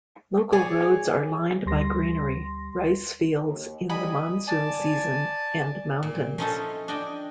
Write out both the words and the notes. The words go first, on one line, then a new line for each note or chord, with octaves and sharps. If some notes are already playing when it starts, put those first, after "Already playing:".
Local roads are lined by greenery, rice fields in the monsoon season, and mountains.
G#4 C#5 D5 G#5
D2 G3 C6 A#6
D#2
G3 D#5 G#5 B5
D5 G#5 A5
A#2
F3 F#3 C#4 D#4 E4 A4
D4 D#5 G5 G#5